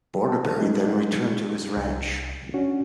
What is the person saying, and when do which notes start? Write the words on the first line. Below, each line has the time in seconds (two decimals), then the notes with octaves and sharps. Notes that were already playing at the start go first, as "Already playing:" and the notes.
Bordaberry then returned to his ranch.
0.27 A5
0.57 G#3 A3 D#4
1.77 C2
2.54 C#4 D4 F#4